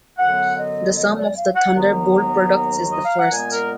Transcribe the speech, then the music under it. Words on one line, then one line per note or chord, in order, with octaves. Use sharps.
The sum of the thunderbolt products is the first.
F#2 D3 F#3 B3 F#5
D#5
D#5
D5
F5
F#5
D#2 D#3 F#3 B3 A#5
D#5
F5
F#5
A#2 G#3 B3 G#5
A#4